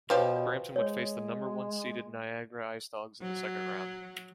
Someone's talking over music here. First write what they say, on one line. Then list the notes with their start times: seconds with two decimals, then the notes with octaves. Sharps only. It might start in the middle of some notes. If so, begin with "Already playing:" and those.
Brampton would face the number one seeded Niagara Ice Dogs in the second round.
0.10 B2 F3 G4 B4 C#5
0.76 G#3 C#5
3.22 F#3